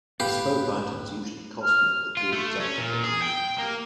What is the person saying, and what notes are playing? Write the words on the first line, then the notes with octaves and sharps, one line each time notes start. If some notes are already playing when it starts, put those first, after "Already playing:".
Bespoke items usually cost more but do exactly what you need them to.
G1 A2 B3 G4 B4 F5
F6
F4
A3
C#4
A#2
G#4
G5
A#3